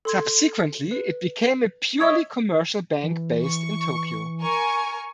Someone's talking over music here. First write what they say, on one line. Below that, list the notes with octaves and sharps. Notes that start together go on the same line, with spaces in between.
Subsequently, it became a purely commercial bank based in Tokyo.
A4 C6 G#6
B4
E4 C#5 D#5
E3
C#6
A#4 G#5 C#6